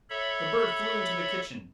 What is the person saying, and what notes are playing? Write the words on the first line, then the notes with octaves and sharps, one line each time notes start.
The bird flew into the kitchen.
A4 C#5 E5 B5